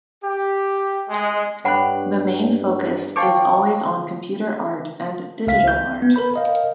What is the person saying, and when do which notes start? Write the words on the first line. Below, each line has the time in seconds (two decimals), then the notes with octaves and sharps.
The main focus is always on computer art and digital art.
0.23 G4
1.09 G#3
1.65 G2 D4 C#5 F#5 G5 B5 F#6
3.16 C5 F5 G5 A5 C#6 D6
5.47 C#2 E5 F5 B6
5.68 G6
6.02 B3
6.14 A#4 B4 B5 G6
6.34 A#4 D#5 F5